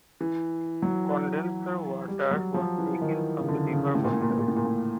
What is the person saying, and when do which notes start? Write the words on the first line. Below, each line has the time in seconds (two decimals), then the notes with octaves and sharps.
Condenser water was taken from the River Wandle.
0.21 E3
0.82 F#3
2.08 G3
2.31 F#3
2.54 F3
2.78 E3
3.02 D#3
3.40 C#3
3.49 D3
3.73 C#3
3.95 A2
4.04 A#2
4.13 A2
4.21 A#2
4.30 A2
4.39 A#2
4.48 A2
4.56 A#2
4.65 A2